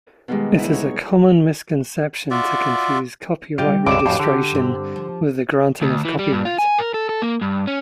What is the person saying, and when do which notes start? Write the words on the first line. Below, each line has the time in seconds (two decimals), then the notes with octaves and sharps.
It is a common misconception to confuse copyright registration with the granting of copyright.
0.28 B2 D#3 G3 G#3
0.57 D2 E4
0.72 D#4 C#5
2.31 F4 F#4 D5 E5
3.58 C3 G3 F4 G4 D#5 F5
3.86 C#2 G2 D3 D#5 D6 E7
4.06 F2 A2 F#4 G#4 C5 C#5
4.20 D3 G4
4.51 G2 C4
4.96 F3
5.82 D2
6.05 E3
6.19 G3
6.33 G2
6.45 F4
6.58 G#5
6.78 A#4
6.94 A4
7.09 A4
7.22 A#3
7.41 G2
7.67 C#4